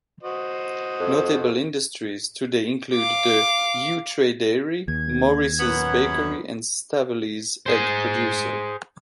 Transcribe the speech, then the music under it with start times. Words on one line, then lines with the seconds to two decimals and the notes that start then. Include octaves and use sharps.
Notable industries today include The Yew Tree Dairy, Morris's Bakery and Staveley's egg producer.
0.23 F#4 C5 D#5
1.00 F2
2.94 F5 D6
4.88 D#2 G#6
5.59 F#2 B3
7.66 G#4 C5